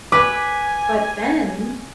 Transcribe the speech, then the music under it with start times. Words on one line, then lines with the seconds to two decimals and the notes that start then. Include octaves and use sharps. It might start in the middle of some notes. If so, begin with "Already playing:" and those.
But then,
0.12 B4 G#5 D6